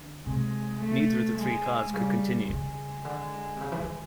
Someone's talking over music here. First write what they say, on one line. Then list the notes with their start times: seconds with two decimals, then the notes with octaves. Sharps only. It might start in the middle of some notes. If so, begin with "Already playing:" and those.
Neither of the three cars could continue.
Already playing: D3
0.26 C3 G#3
0.82 A3
1.38 G#3
1.93 C#3 G3
2.49 C#3 G#3
3.05 D3
3.56 C3
3.61 C#3
3.72 E3
3.80 D#3